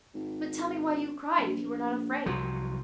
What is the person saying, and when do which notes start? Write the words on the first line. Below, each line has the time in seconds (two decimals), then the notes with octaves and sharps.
"But tell me why you cried, if you were not afraid."
0.14 G#1
1.38 A#1
2.26 C2 F3 F#3